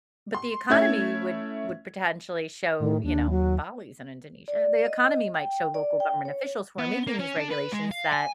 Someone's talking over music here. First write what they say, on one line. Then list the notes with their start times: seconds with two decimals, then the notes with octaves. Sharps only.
but the economy would would potentially show, you know Bali's in Indonesia. The economy might show local government officials who are making these regulations that
0.34 C6
0.70 A3 C#4 E4 E5 G#6
2.80 A2 D#3
3.04 D#2 D4
3.30 F#3
4.48 D5
4.85 D#5
5.34 G5
5.74 D5
6.00 G5
6.25 C#5
6.78 B3
7.07 A#3
7.20 C#4
7.38 D4
7.51 B4
7.72 G#3
7.91 F5
8.12 G#5